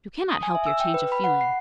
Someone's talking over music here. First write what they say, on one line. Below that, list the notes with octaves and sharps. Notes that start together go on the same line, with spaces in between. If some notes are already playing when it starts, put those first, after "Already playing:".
You cannot help your change of feeling.
D#6
G#5
E5
E6
G5
B4
B5
F#5
C7